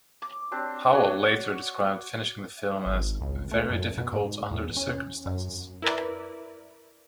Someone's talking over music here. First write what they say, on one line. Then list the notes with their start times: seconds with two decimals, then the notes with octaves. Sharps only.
Powell later described finishing the film as "very difficult under the circumstances".
0.22 D6
0.51 C4 D4 G4 C5
0.93 F#4 C#5 D5
2.86 G#1
3.21 C#2
3.51 A3
3.69 F#2
3.97 B2
4.13 G#2
4.51 E2
4.77 C#4
5.26 F#2
5.82 E4 A#4 B4 D5